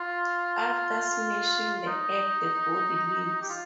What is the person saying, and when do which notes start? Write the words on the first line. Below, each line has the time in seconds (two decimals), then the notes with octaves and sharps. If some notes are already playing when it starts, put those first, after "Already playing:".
After smashing the egg the boy leaves.
Already playing: F4
1.87 D#4
3.42 G4
3.50 F4